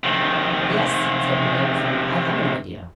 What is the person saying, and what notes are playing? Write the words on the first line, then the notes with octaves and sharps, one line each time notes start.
"Yes," said my young friend; "I have an idea."
C3 D#3